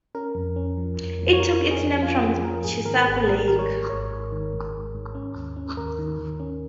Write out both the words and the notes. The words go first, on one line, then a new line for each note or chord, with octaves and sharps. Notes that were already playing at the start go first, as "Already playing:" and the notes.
It took its name from Chisago Lake.
C#4 A#4
F2
C#4
F3
F2
F2
C#5
F2 A#4
C#4
G#4
F2
C#4 F4
F3 G#4
F3 A#4
G#2 G#4
D#3 A#4
G#1 G#4
G#2 A#4
D#3 A#4
C#5
G#2
G#1 C#5
G#2
D#3
G#2
G#2
G#2
C#4
D#2
C#4
D#2 A#4
D#3
D#3
C#4